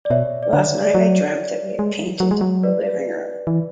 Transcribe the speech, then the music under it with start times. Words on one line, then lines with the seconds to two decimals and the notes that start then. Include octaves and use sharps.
Last night I dreamt that we had painted the living room.
0.05 D5
0.10 B2 C#5 E5
0.43 D5
0.53 D3 C#5
0.83 D5
0.95 F#3 C#5
1.79 G#3
2.20 F#3
2.31 G#3
2.41 F#3
2.63 B4 D5
3.47 E3